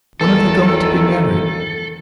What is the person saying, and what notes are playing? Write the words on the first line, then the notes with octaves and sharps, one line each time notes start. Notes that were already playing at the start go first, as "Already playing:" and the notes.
When are they going to be married?'
E2 D#3 A4